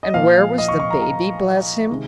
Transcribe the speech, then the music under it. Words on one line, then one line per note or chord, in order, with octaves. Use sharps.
And where was the baby, bless him?
D#5
A#2 F3 A#3 F5
D#5
C#6
C#6
A#5
A#5
C3 D#3 G#3